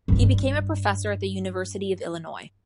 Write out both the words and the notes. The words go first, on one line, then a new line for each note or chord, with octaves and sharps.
He became a professor at the University of Illinois.
G2 G3